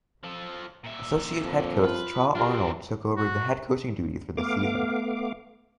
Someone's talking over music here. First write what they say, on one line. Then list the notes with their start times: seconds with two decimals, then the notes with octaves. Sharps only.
Associate head coach Tra Arnold took over the head coaching duties for this season.
0.24 F3 A4
0.84 A#2 E5
1.40 F2
1.84 F4 B4
2.35 C4 D4 F4 G4 A#4
3.17 F#4
4.37 A3 B3 F5 D6